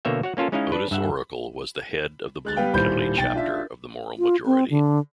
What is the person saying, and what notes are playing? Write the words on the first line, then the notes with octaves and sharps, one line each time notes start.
Otis Oracle was the head of the Bloom County chapter of the Moral Majority.
B2 D3 A#3 C#5 E5 G5
F#4 C#5 F#5
A#3 C#4 F4 A4 A#4
G#3 C#4 D#4 E4 D#5 F5
D4 B4
G2 E5 F#5
G#3 F#6 A6
G3 B3 B4 F5 G5
D#1 A2 G3 C5 B5 G6
B1 G5 A6
D4 F4 E5
F4
C4
D3